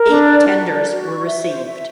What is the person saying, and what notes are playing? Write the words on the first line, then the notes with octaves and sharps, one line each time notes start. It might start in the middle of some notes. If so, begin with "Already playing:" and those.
Eight tenders were received.
Already playing: A#4
D4
D5
F#4
D5
F#4
C#6
E5
C5
E5